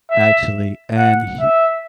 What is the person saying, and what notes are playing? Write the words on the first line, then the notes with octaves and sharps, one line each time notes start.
actually, and he
E5
F#5
E5